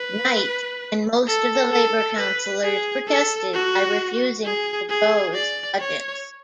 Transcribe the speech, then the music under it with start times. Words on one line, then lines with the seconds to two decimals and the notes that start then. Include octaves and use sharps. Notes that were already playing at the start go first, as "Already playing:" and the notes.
Knight and most of the Labour councillors protested by refusing to propose budgets.
Already playing: B4
1.27 A4
1.72 A4
2.17 B4
2.63 G#4
3.08 A4
3.54 F#4
4.44 G#4
4.89 G#4
5.34 D5
5.80 C#5